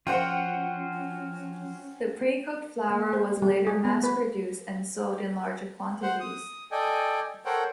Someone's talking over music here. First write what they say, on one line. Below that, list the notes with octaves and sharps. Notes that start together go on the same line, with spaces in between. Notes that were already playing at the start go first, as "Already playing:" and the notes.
The precooked flour was later mass-produced and sold in larger quantities.
F3 C#4 F4 F#4 C5 F#5 G5
A#3
C5
G3
G#4
B3
B4
C5 F#5
D#6
A4 D5 D#5 G5 G#5
A4 A#4 C5 C#5 F#5 G5